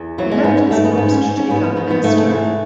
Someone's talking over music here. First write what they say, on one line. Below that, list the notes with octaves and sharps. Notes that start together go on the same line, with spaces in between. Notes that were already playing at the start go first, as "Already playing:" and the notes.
He left this post to become the minister.
Already playing: E2
E3 F#3
G#3
G#2 B3
C#4
G#2 A3
B3
G#2 B3
C#4
G#2
C#4
G#2 B3
B3
D#3 B3
B3
G#2 A3
A3
E3